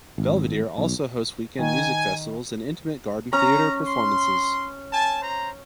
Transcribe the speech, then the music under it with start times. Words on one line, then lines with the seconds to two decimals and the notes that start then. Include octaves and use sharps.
Belvedere also hosts weekend music festivals, and intimate garden theatre performances.
0.18 G#1
0.78 B1
1.59 D#3 G#5
3.33 C#4 A#5
3.87 C6
4.92 G#5 A5
5.22 C5 A#5